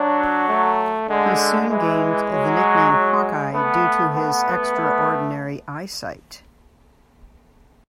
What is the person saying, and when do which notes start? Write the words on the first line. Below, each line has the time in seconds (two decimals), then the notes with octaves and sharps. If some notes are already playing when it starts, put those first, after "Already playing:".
He soon gained the nickname "Hawkeye" due to his extraordinary eyesight.
Already playing: F#3 D4
0.48 A3
1.09 D3 G#3
1.70 E3 G#3
2.31 F#3
2.93 G#3
3.53 A3 B3
4.14 B3
4.75 A3